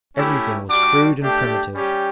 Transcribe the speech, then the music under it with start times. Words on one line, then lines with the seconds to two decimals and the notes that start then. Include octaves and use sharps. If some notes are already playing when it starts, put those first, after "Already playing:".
Everything was crude and primitive.
0.15 A3 C#4 E4 G4
0.68 G3 D4 F#4 D6
1.21 A3 D4 G4
1.73 G3 C#4 G4